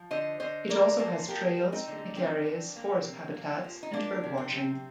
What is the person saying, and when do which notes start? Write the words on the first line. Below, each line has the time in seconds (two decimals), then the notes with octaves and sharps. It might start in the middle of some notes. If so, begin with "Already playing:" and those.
It also has trails, picnic areas, forest habitats, and bird watching.
Already playing: F3
0.11 D3 C5 D#5
0.40 D3 C5 D#5
0.69 A#3 A#4 D5
0.99 A#3 A4 C5
1.28 F3 G4 A#4
1.58 F3
1.72 C4 D#4
1.88 D3
2.16 D3 C4
2.47 D3
2.76 A#3
3.05 C3
3.35 A#3
3.64 F3
3.83 D#4
3.93 F3 A#3 D4
4.23 C3
4.38 C4
4.53 C3